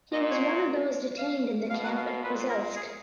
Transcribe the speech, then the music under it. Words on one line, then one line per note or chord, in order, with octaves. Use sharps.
He was one of those detained in the camp at Kozelsk.
A#2 D#5
C#5
C#5
F5
B2 F5
F#5
F5
A#2 B4
A#4
G#4